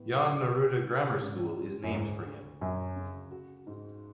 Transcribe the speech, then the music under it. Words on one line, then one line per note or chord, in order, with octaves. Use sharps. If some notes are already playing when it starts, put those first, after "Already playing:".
Jan Neruda Grammar School is named for him.
Already playing: A2 B3
F#3
F#4
D3
G#2 C#4
G#3
F#2
D2 G#2
D2
F#2 F#3
C#3
F#4
G#2